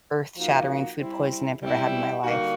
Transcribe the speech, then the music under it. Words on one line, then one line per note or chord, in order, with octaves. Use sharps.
earth shattering food poison I've ever had in my life.
F3 A#3 D#4 F#4
G3 C4 E4
G3 C4 E4
D3 G3 A#3 D#4 F#4